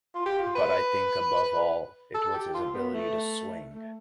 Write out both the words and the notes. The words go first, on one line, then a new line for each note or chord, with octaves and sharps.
But I think above all it was his ability to swing.
F4
G4
F4
B4
A4
G4
F4
B3
A3
A3